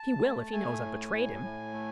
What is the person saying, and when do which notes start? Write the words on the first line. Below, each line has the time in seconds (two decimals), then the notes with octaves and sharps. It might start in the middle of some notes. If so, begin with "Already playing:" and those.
"He will, if he knows I've betrayed him."
Already playing: A5
0.22 A3
0.52 A3 G#5
0.83 A2
1.12 A2
1.43 A2
1.73 A3